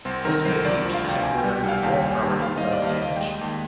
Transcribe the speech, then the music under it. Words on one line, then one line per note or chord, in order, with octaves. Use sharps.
This may lead to temporary or permanent nerve damage.
C2 C4
D#3 A#4
C2 C5
D2 D5
F3
F5
D2 G5
C2 G#5
G3 G5
G5
C2
F5
D#2 G5
G5
G3 G#5
D#2 G5
D#2 F5
G3 D#5
D5
D#2 F5
D#2 D#5
G#3 G5
D#2